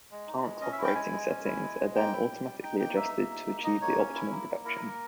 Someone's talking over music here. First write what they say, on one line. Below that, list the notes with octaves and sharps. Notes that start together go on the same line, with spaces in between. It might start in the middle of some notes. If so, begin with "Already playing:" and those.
Plant operating settings are then automatically adjusted to achieve the optimum production.
G#3
D#4
G#3
C#4 D#5
E5
E4
G5
G#3 G#5
G#3
C#4
E4
G#3
G#3
A#3 G5
E4
G3
G3
D#4 G5
A#3 G5
D#4 E5
A#3
D#4
A#3
D#4 D#5
A#3 C#5
C#4
E4
A#3
A#3
E4 A#4
A#3